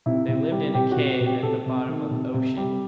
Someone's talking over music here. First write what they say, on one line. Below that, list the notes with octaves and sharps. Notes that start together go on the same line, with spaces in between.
They lived in a cave at the bottom of the ocean.
C3 E4
C3
G3
C3 G4
F#4
C3
F#4
C3
G4
C3 A4
C3
D#3
C3
C3
G3